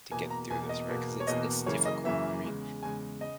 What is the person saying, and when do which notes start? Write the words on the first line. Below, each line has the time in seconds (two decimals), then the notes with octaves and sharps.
to get through this, right? 'Cause it's it's difficult. I mean,
0.12 E2 B2 A#3 G#5
0.30 A#5
0.50 E2 B2 A#3 G#5
0.69 D#5
0.89 E2 B2 A#3
1.20 C#5
1.27 E2 B2 A#3 D#5
1.66 F#2 C#3 E3 A#3 C#5
1.85 D#5
2.05 F#2 C#3 E3 A#3 E5
2.44 E2 C#3 G#3
2.82 E2 C#3 G#3 G#5
3.21 C#3 D#5